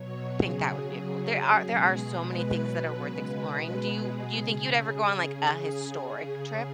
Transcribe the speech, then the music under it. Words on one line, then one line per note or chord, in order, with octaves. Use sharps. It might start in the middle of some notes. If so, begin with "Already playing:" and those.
think that would be a cool There are, there are so many things that are worth exploring, do you do you think you'd ever go on like a historic trip,
Already playing: B2 F#3 C#5
C#3 F#3 G#4
C#3 F#3
C#3 F#3
B2 G#3
B2 G#3 B4
B2 F#3
C#3 G#3
B2 G#3
B2 G#3 G#4
C#3